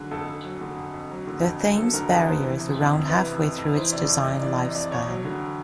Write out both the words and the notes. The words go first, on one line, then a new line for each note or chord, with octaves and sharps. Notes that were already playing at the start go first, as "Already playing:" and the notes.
The Thames Barrier is around halfway through its designed lifespan.
Already playing: D3 F#3 G#4
F2 A4
F2
F#3
D3
F2
F2
F#3
D3
F2
F2
F#3 A4
D3 A#4
F2 B4
F2 C5
E3
C3
F2
F2
E3 B4
C3
F2
F2
E3 C5
C3 D5
F2 D5
F2 D#5
E3 D5
C3 D#5
F2 D5
F2 C#5
F#3
D3